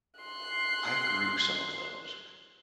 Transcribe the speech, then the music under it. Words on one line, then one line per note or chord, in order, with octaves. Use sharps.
I grew some of those.
C6 F#6